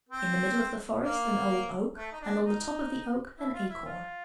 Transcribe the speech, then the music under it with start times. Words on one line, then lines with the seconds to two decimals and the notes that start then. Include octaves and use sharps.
In the middle of the forest, an old oak, and on the top of the oak, an acorn.
0.09 C4
1.03 A#3
1.97 A3
2.12 D#4
2.21 D4
2.44 D#4
3.38 E4
3.54 F4
3.69 E4
3.85 F4